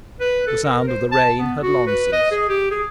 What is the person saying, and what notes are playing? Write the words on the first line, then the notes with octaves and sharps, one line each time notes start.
The sound of the rain had long ceased.
B4
A4
A#4
C5
A5
B3
F#4
B4
D#5
G#4
G4
G#4